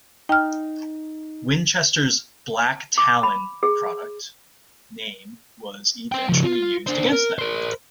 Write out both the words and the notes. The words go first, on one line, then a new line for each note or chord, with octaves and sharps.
Winchester's "Black Talon" product name was eventually used against them.
D#4 G5 F6
D6
B5
G#4
C4 G5
C#3 F3
F4
D4 C5
A#4
A#4 C5